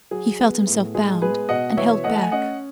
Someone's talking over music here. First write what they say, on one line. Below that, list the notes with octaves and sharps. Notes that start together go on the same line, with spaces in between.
He felt himself bound and held back.
F#3 G#4
B3
A2
G#3 G#4
B3 G#4 B4
B2 D#5 F#5
E3 C#5 E5
A3 D#5 F#5
A5
G#5
C#4 D#5 F#5